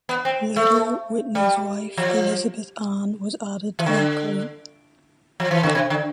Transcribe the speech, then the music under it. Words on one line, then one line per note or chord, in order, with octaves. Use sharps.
Later, Whitney's wife, Elizabeth Ann, was added to that group.
B3
C4
A3
G3
F3
E3
D3
F3
E3
D3
C3
D3